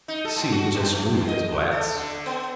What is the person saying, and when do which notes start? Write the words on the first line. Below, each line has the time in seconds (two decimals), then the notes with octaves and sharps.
The sea was as smooth as glass.
0.08 D#4
0.25 A4
0.37 G#2
0.52 F#4
0.74 F#2
0.93 A3
1.10 E2
1.28 D#5
1.52 F#4
1.71 A4
1.96 D3
2.26 B3